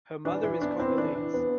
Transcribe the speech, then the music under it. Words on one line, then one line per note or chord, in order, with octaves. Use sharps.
Her mother is Congolese.
E3 D4
E3 E4
B3 D4
C4 E4
E3 D4
E3
B3